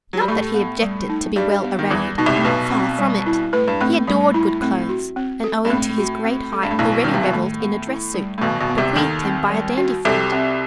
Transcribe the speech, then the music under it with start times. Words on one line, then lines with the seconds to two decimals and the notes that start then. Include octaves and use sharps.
Not that he objected to be well arrayed; far from it; he adored good clothes, and owing to his great height already revelled in a dress-suit, bequeathed him by a dandy friend.
0.13 F#3
0.20 G3
0.28 A2 A3 G4
0.54 B3
0.82 G3
1.09 D#4
1.36 G2 G3 G4
1.64 B3
1.79 D#3
1.90 E2 E3 G3
2.18 B2 D#4
2.26 C2 C3
2.36 A2
2.44 B1 B2 B4
2.72 C4
2.99 G3
3.26 E4
3.53 A2 B4
3.68 G2
3.81 A2 C4
3.94 A2
4.07 A2 G3
4.34 E4
4.62 A2 C4
4.89 F#4
5.16 C4
5.44 A4
5.65 G2
5.70 A2 C4
5.98 F#4
6.25 C4
6.52 A4
6.63 G2
6.71 A2
6.78 B1 B2 E4
7.04 D#3 G3
7.14 C3
7.23 B2
7.33 A2 D#3
7.60 B3
7.87 E4
8.14 G3
8.38 A2
8.41 B1 B2 D#3
8.60 B1 B2
8.70 B3
8.78 C2 C3
8.96 D#2 D#3 A4
9.23 C4
9.50 G3
9.78 F#4
10.05 C2 C3 A4
10.32 C4